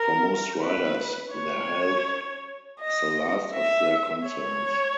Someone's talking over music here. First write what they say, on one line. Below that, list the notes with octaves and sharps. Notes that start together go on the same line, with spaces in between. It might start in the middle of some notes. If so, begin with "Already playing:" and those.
For most riders, their health is the last of their concerns.
Already playing: A#4
B4
C#5
D#5
E5
C#5